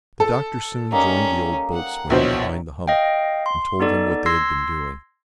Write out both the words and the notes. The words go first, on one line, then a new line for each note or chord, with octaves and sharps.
The Doctor soon joined the old boatswain behind the hummock, and told him what they had been doing.
A4
G3 A#3 C#4 D#4
F#5
A#1 B2 E4 C5 C#5
D#5 F5 G5
C6
B3 D#4 A4 D5
C6 E6 G#6 A#6 C7